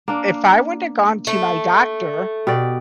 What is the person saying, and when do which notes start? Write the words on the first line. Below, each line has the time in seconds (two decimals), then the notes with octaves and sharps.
if I wouldn't have gone to my doctor,
0.08 A#3 D4
1.27 A3
2.47 B2 G4 D5